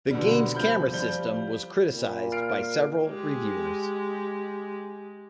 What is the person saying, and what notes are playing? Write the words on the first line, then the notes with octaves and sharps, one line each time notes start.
The game's camera system was criticised by several reviewers.
B2 D3 G3
F3 B5 G6
G3 G7
A#2
F6 C7 D7
G#3 G4